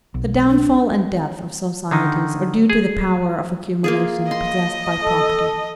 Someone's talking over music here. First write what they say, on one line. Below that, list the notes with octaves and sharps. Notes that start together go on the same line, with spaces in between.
The downfall and death of societies are due to the power of accumulation possessed by property.
B1
D4
D3 D#3 D#4
G#4
A#3 F4 G#4
D#5 C6
A4